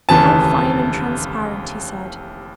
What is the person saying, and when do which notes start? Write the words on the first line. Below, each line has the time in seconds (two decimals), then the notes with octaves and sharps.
"How fine and transparent," he said.
0.09 F1 D#2 C#3 E3 A5